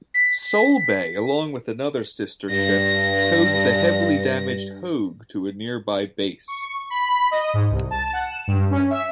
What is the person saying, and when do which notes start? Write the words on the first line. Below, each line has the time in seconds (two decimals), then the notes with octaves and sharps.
"Solebay", along with another sister-ship, towed the heavily damaged "Hogue" to a nearby base.
0.14 B6
2.50 G2 A#6
6.48 C#6
6.90 B5
7.31 D#5
7.54 G#2
7.70 C2
7.91 A5
8.13 F#5
8.25 E7
8.47 G2
8.71 C#4
8.90 E5